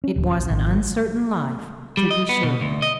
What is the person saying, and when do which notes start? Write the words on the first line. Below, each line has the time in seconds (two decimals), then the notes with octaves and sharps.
It was an uncertain life, to be sure.
0.04 C#4
0.16 D1
0.36 A#1
0.50 G#1
1.97 G3
2.11 D#5
2.29 B3
2.43 B2
2.61 D2
2.82 D#5